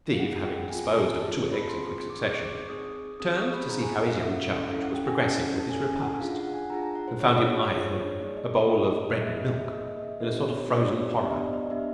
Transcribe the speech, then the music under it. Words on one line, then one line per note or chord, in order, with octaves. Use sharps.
Steve, having disposed of two eggs in quick succession, turned to see how his young charge was progressing with his repast, and found him eyeing a bowl of bread-and-milk in a sort of frozen horror.
F5
C4 F4 G#4 F#5
G5
C4 F4 G#4 G#5
G#5
A5
C4 F4 G#4 A5
B5
C4 F4 G#4 C6
D6
C4 D#4 G#4 C#6
D6
C4 D#4 G#4 D#6
C4 D#4 G#4 D#6
C#6
B5
C4 D#4 G#4 A#5
G#5
F#5
F5
C#4 E4 A4 E5
C#4 E4 A4 F5
F#5
G5
G#5
C#4 E4 A4 A5
A5
C#4 E4 A4 G#5
G#5
F#5
D4 F4 G#4 F5
F#5
G#5
D4 F4 G#4 A#5
A5
F#5
C5
D4 F4 G#4 C#5
C#5
C5
D4 F4 G#4 C#5
C#5
A#3 D#4 G#4 D5
D#5
D#5
A#3 D#4 G#4 D#5
D#5
A#3 D#4 G#4 E5
E5
E5
A#3 D#4 G#4 D#5
D#5
D#5
E5
B3 D4 G4 B4
C5
C#5
B3 D4 G4 C#5
D5
E5
B3 D4 G4 D#5
D5
D#5
B3 D4 G4 E5